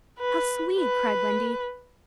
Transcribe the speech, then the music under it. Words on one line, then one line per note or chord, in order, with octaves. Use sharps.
"How sweet!" cried Wendy.
B4
B4